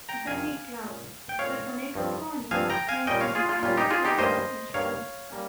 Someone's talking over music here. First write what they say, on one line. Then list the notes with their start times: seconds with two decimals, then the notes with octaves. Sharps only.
They make love, but the next morning, Nelson finds Sara is dressed.
0.09 G5 A#5
0.27 F2 C3 D#3 F5 G#5
0.84 A#2 G#3 C#4
1.29 G5
1.39 A#2 G#3 C#4 C#5 F5
1.95 G2 F3 C4
2.51 G2 F3 C4 F5 G#5
2.70 G5 A#5
2.89 F5 G#5
3.07 A#2 G3 C#4 D#5 G5
3.21 C#5 F5
3.35 F4 G#4
3.49 F4
3.63 A#2 G3 C#4 F4
3.77 D#4 G4
3.90 F4 G#4
4.05 D#4 G4
4.18 G2 D#3 A#3 C#4 C5 D#5
4.74 G2 D#3 A#3 C#4 C#5 F5
5.30 G3 A#3 C#4